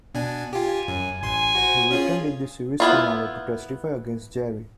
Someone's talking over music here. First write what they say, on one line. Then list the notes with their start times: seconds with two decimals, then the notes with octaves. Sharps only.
He returned in the series finale to testify against Jerry.
0.14 B2 D4 G#5
0.53 F4 G4 G#5
0.88 F#2
1.23 A1 G#5 C6
1.55 F#4 C5
1.91 C#4 F4 G#4
2.80 B3 E4 F4